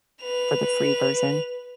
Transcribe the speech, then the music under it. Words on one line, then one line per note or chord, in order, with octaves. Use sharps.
for the free version.
B4 F7